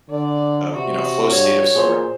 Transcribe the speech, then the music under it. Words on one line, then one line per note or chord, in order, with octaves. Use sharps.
uh, you know, flow state of sort
D3 D5
C3 F#4
G2 C#5
A#2 G#4 C5